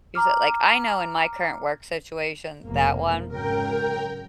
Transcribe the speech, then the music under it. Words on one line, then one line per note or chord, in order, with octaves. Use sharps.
use it, like I know in my current work situation, that one
A#5 D6 F6
F1 B2 A#3
G#1 C#3 F#3 A#4 G5